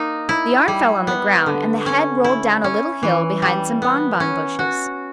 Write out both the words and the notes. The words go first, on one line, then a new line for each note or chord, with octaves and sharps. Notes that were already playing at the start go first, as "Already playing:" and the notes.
The arm fell on the ground and the head rolled down a little hill behind some bonbon bushes.
Already playing: A#3 D#4
E4
G3
B3
D3
C#4
E4
C#4
E3
G3
B3
C#4
F#4